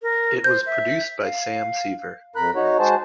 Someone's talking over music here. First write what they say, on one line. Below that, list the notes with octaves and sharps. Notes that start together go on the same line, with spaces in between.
It was produced by Sam Sever.
A#4
C5 G6
E5
F5
F2 A#4 B5 F#6
D#4 F#4 C#5
G#3 F#4 G#4 C5 A5